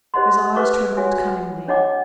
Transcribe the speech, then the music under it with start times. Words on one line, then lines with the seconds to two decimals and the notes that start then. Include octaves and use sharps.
His eyes twinkled cunningly.
0.14 G4 C5 D#5 F#5 C6
0.56 B4 C5 F5 C#6 D6
0.97 F#4 C5 C#5 E5 F#5 G#5
1.68 D4 C#5 D#5 F#5 A5 D6